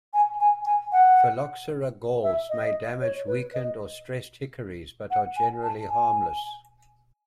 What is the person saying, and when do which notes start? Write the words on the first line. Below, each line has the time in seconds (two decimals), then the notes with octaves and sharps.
"Phylloxera" galls may damage weakened or stressed hickories, but are generally harmless.
0.14 G#5
0.40 G#5
0.66 G#5
0.92 F#5
2.23 E5
2.49 D#5
3.01 C#5
3.27 B4
3.54 D#5
5.11 F#5
5.37 G#5
5.63 A5
5.89 G#5